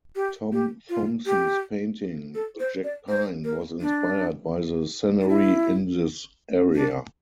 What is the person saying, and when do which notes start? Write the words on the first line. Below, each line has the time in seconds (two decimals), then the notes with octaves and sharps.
Tom Thomson's painting, "The Jack Pine", was inspired by the scenery in this area.
0.16 G4
0.53 G4
0.89 F4
1.26 G4
2.35 A4
2.60 C5
2.84 D5
3.09 C5
3.45 A#4
3.81 D4
5.21 D4
5.28 E4
6.75 D4